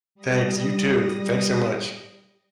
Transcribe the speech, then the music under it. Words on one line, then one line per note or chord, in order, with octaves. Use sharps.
Thanks, you too. Thanks so much.
G3 D#6 A#6